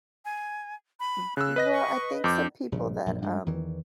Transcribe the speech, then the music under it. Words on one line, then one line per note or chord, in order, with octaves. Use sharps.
Mm, well, I think some people that, um
G#5
B5
C#3 E6 F#6
B4 D#5 A#6
C#6
F2 D6 G6
A#1 G2 C#3
A#1 F#2 A#2
G2 F3 G#3
E2 D#3 E3